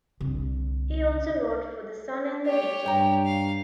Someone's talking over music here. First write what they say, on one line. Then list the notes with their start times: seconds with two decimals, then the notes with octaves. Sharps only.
He also wrote for the "Sun" and the "Weekend".
0.20 C2 D3
2.46 G4 C#5
2.86 G2 G5 A#5
3.26 F5